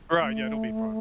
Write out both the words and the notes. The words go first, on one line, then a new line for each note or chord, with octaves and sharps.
Right, yeah, it'll be fun.
A3